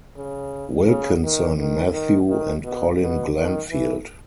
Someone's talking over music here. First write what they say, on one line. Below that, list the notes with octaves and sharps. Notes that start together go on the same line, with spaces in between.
Wilkinson, Matthew, and Colin Glanfield.
C#3
C#3
D#3
D#3
D#3
D#3
B2
B2
D#3
E3